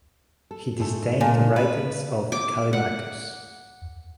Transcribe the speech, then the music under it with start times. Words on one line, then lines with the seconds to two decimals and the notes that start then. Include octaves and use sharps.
He disdained the writings of Callimachus.
0.51 A4
0.79 G#2 A3 A4
1.21 A#2 G#5 A5
1.56 B4
2.32 D6
2.73 F#5